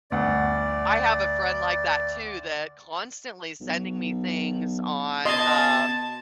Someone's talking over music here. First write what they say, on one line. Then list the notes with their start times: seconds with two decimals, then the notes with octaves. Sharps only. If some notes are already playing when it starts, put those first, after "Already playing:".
I have a friend like that too that constantly sending me things on, um,
0.11 G1 D2 D5 F#5
3.60 B1
5.25 B2 D#5 A5 C6 G#6